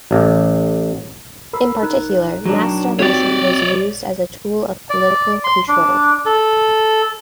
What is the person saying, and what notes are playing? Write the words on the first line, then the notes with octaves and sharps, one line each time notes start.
In particular, mass starvation was used as a tool of political control.
A1
A#4 B5 E6
D#4 A#4 F#6
F#3 D4
C4 F#4 G4 C#5 D5
D5
C6
D4
A4